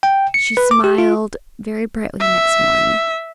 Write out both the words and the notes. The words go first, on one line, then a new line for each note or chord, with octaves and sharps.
She smiled very brightly next morning.
G5
C#7
B4
D6
G4
F4
E5